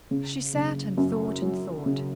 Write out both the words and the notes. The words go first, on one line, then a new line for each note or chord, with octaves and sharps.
She sat, and thought, and thought.
C#3
F#1
F#2
F#3
C#3